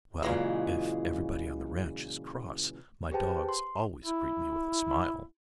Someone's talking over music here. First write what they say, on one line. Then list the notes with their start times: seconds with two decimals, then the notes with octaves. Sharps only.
"Well, if everybody on the ranch is cross, my dogs always greet me with a smile."
0.23 A#2 C#3 E3 F#3 G#3
3.11 G4 G#4 B4 C5 G5 A5
3.49 C6
4.05 E4